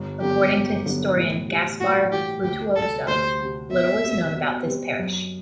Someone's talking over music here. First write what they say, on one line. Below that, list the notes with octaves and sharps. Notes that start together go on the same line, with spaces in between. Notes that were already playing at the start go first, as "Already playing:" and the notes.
According to historian Gaspar Frutuoso, little is known about this parish.
Already playing: G1
F#2 D3 G3 B3 G4
G1
F#2 D3 G3 B3
A2
E3 G3
A2 F#4
E3 G3 G4
D2 G4
C3 G3 A4
D2 C5
C3 G3
B2 E5
G3 C4
B2
G3 C4
F#2